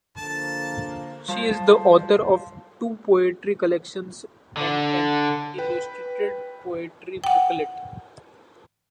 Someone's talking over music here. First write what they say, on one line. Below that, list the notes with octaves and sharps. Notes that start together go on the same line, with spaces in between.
She is the author of two poetry collections and an illustrated poetry booklet.
D3 F3 A#3 A5
F3 G3 C5
D3
B4 G5
F#5 G5